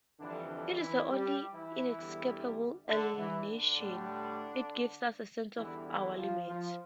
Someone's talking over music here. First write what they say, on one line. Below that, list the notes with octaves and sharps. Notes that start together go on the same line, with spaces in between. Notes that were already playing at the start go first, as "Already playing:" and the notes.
It is the only inescapable alienation; it gives us a sense of our limits.
F2 D3 E3 G3 D4
D3 D4
E3 E4
G3 G4
E3 E4
E2 D3 G3
D3 D4
E3 E4
D3 D4
A2 G3
E2 D3 E3 G3 E4
E3 E4
F3 F4
F3 F4